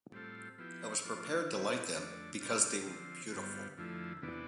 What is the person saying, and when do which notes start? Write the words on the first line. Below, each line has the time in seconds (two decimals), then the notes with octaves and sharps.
I was prepared to like them because they were beautiful.
0.12 A2 G3 C4 F4 A4
0.58 F3 B3 E4 G4
1.04 F3 A3 D4 F4
1.49 C3 E3 G3 B3 E4
1.95 F2 D3 A3 D4
2.40 C3 G3 D4 F4
2.85 D3 F3 C4
3.32 G2 D3 G3 B3 F4
3.77 F2 D3 F3 A3 E4
4.22 E2 C3 E3 B3 D4